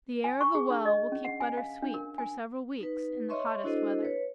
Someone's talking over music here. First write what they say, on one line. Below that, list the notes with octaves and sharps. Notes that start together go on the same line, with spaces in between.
The air of a well will keep butter sweet for several weeks in the hottest weather.
G#5
C#6
G#4
D4
D#5
C#4
F#5
G#5
F5
D4
A#4
G#5
D#4 B4
C#5 D#5 E5 C6 C#6
D4 E4 F#4 A4 C5 D#5
B4 C#5